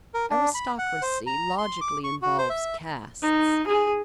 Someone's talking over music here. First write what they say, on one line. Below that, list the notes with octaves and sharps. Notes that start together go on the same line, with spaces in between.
Aristocracy logically involves castes.
A#4
D4
B5
F#5
C5
A#5
C6
D6
C#6
F#4
C5
E5
D#4
G#4